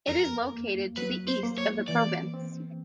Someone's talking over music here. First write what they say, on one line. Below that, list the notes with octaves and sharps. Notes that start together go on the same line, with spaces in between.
It is located to the east of the province.
F2 A#4
A#3
F#3 B4
C5
A#3
C#5
E3 D5
C4